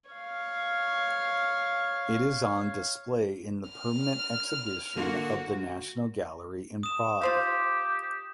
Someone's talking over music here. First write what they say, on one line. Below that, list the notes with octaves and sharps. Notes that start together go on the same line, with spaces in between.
It is on display in the permanent exhibition of the National Gallery in Prague.
C#5 F5
F6
D3 A#3 F#4
D#6 E7
F4 G4 C5 F5